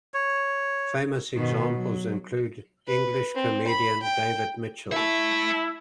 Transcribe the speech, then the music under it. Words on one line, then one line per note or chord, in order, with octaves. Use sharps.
Famous examples include English comedian David Mitchell.
C#5
B2 D#3
F#3
B4
C4
B5
G5
E4 E5 A5